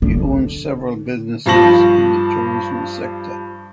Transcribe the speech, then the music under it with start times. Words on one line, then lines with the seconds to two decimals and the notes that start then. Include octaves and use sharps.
He owns several businesses in the tourism sector.
0.02 D3
1.46 G2 F3 A5 C#6 A#6 F#7